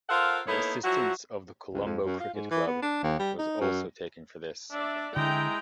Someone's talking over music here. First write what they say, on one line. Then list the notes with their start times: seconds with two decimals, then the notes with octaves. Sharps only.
The assistance of the Colombo Cricket Club was also taken for this.
0.09 F4 A4 A#4 C5 F5 F#5
0.47 A#3 B3 D#4 E4 A4 C#5
0.84 F3 F#3 E4 F#4
1.74 C#2
1.85 F2
2.05 F#2
2.20 F4
2.34 G#2
2.51 E3
2.67 B3
2.82 D4
3.03 D#2
3.19 G3
3.39 D#4
3.61 F#2
4.71 D4 D5 E5
5.16 D3 G#3 E4 G5 A#5